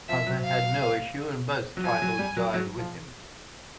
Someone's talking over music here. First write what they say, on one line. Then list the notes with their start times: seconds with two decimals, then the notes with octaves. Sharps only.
Arthur had no issue and both titles died with him.
0.09 F3 E5
0.27 F#3
0.44 F5
1.77 F#3
1.84 F3 G#5
2.02 F#3
2.19 G3
2.37 F#3
2.54 F#3
2.77 F3